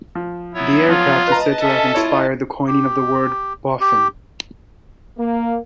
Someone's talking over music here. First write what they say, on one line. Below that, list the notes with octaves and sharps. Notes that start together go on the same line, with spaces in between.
The aircraft is said to have inspired the coining of the word "Boffin".
F3
F#3 B3 E4 C#5
F3 F4
B4 D#5 A5 A#5
C#4 A4 E5
E4 F4 C#5
G4
G4
A#3